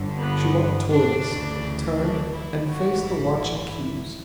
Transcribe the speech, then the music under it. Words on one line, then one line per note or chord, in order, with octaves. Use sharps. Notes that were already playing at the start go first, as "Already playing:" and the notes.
She walked toward us, turned and faced the watching cubes.
Already playing: G1 G2 D3
B3
D4
D2 C#3 E3
D4
E4
A1 G2 E3 F#4
E4
E4